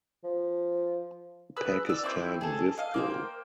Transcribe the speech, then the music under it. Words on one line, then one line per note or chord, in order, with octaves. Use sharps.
Pakistan withdrew.
F3
G#4 B4 E6
D5 E6
C4 E4 D6 G6
G#4 A4
D#5 F5
A#3 C5 G5